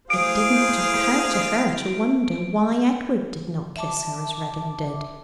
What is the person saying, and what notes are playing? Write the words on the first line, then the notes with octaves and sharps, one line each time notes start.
It did not occur to her to wonder why Edward did not kiss her as Reddin did.
A3 E4 G#4 C5 F5 D#6 D7
E5 A5 D6